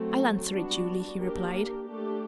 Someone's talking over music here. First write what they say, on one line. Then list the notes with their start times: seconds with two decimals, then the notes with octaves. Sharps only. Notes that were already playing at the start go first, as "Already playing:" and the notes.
"I'll answer it, Julie," he replied.
Already playing: F#3 A3 C4
0.51 G3 B3 D4 F#4
1.17 A#3 D4 G4 A#4
1.83 A3 D4 G4